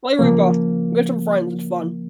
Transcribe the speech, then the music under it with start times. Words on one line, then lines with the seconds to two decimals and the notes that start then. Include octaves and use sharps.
Play Repo, with some friends, it's fun.
0.19 C#3 F3 A#3